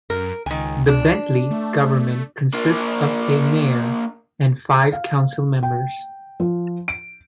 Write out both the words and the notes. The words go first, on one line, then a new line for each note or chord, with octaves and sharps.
The Bentley government consists of a mayor and five council members.
F#2 A#4
C#2 D#3 G#5
D4
A3
A#3 D4
F5
G5
F3
D7